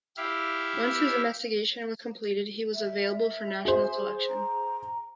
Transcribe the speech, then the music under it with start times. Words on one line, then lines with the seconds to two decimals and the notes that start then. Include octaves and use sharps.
Once his investigation was completed he was available for national selection.
0.17 E4 G4 E5 F5
2.74 E5
3.65 G#4 C5
4.28 A#5